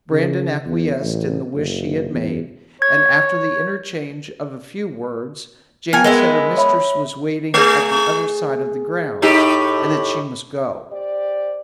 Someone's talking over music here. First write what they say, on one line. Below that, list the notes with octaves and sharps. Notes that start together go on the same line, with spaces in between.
Brandon acquiesced in the wish she had made, and, after the interchange of a few words, Jane said her mistress was waiting at the other side of the grounds, and that she must go.
C#3
E2
A1
F#1
E2
C#5 G#6
B3 A#4 G5 G#5
G#3 B3 E4 A#4
C#5 E5 B5
A3 G#4
A2 D#4 G4
G4 C5 D5